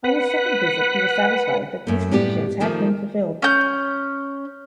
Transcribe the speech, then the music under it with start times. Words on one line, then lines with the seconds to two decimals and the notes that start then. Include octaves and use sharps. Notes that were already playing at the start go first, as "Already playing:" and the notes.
On his second visit he was satisfied that these conditions had been fulfilled.
0.04 B4 F#5
1.87 F#2 A3
2.11 A2 G3 B3 G4
2.60 D#3 F3 A3 A#3 D#4
3.42 C#4 G6